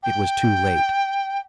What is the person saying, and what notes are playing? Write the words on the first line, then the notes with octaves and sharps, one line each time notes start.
It was too late.
G5